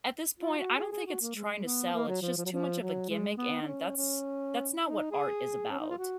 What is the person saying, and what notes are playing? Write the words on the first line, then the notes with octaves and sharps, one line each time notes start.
at this point, I don't think it's trying to sell, it's just too much of a gimmick and that's that's not what art is about.
F4
F#4
G#4
G#4
F#4
A#3
G#3
B3
A#3
F#3
F3
F3
F#3
F3
F#3
G#3
B3
D#4
C#4
C#4
D#4
G#4
C#4
D#4
F4
F#4